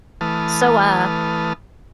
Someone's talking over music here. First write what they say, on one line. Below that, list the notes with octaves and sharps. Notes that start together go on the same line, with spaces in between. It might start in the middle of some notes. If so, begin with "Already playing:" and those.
so, uh,
E3 A3 B4 A5 D#6 F6